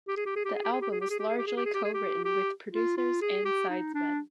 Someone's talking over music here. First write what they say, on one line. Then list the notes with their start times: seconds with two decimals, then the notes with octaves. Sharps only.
The album was largely co-written with producers and sidesmen.
0.08 G4
0.17 G#4
0.26 G4
0.36 G#4
0.45 G4
0.55 G#4
0.64 G4
0.73 G#4
0.81 G4
0.91 G#4
1.01 G4
1.11 G#4
1.19 G4
1.29 G#4
1.38 G4
1.47 G#4
1.57 G4
1.65 G#4
1.74 G4
1.85 G#4
1.94 G4
2.25 G4
2.73 F4
2.97 F4
3.22 G#4
3.45 G4
3.70 D#4
3.94 D4